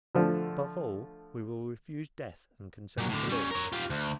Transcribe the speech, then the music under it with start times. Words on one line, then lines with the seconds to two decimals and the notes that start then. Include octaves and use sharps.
Above all, we will refuse death and consent to live.
0.15 D3 F3 A3
2.98 A#2 F#3
3.09 A2 D3
3.29 G3 C#4
3.51 A#4 C#5
3.73 F4 G4
3.90 D2